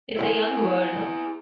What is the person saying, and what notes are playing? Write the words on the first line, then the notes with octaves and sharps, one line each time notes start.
It's a young word.
E4 G#4